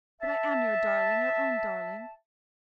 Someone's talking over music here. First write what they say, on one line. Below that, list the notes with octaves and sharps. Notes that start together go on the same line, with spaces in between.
But I am your darling, your own darling.
E5 A5